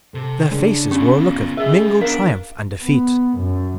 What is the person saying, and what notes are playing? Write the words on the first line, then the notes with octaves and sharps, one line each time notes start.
Their faces wore a look of mingled triumph and defeat.
C3 A4
C#3 G#3 D4
B3 C#4 F4 G4
G#4 B4 D#5 E5
B3 D4 A#4 F5
B3
F#2